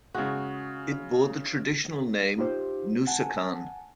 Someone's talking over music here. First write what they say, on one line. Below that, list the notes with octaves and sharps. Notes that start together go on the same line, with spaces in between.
It bore the traditional name "Nusakan".
C#3 G#3 F#4
D#4 F4 G4 C5
F#5 G#5 A5